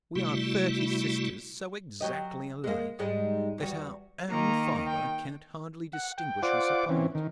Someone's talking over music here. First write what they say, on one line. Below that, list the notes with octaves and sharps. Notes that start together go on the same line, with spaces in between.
We are thirty sisters so exactly alike that our own father can hardly distinguish us apart.'
C3 G3 A3 E4 F#4
F#3 G4 D#5
G#3 A#3
G#2 G3 G#3
E2 G3 F#4
D#3 A#3 A#5
G5
F#5
G5
F4 C5 D5 F#5 D6
E3 C4 C#4
D#3